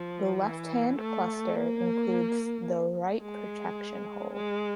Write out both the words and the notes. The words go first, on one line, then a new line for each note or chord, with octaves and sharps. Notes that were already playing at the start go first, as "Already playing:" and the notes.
The left-hand cluster includes the write-protection hole.
Already playing: F3
E3
A3
A#3
G#3
G#3